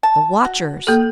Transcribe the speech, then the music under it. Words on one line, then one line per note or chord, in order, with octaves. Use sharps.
The watchers!
A5
F#4
A#3 G4 A4